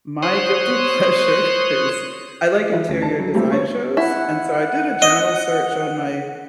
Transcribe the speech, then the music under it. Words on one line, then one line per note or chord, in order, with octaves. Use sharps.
My guilty pleasure is I like interior design shows, and so, I did a general search on my
C5 C#5 C6 D#6 F#6
E3 F4 B4 E5
D2 C#4
D4 A5
F#3
G3 A3 A#3 C4 F4 A4
B3 C#5
E4 F#5
D#5